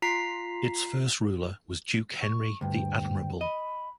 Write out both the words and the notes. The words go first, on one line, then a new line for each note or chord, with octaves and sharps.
Its first ruler was Duke Henry the Admirable.
F4 A#5 B6 C7
C#6
D2 G2 G5
D#5 B5